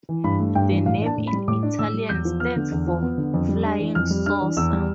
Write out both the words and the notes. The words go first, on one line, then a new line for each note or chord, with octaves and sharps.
The name in Italian stands for "Flying Saucer".
E3
G2 B5
A3
G2 G5
E3
A2 F5
D4 A5
A2
B5
G3
A2 D6
D4
A2 E6
G3
E2 G6
F3
B3 F6
D3
E2
F3
B3
D3
F2
G3
D4
E3
F2 F6
G3
D4 F6
E3
E2 E6
G3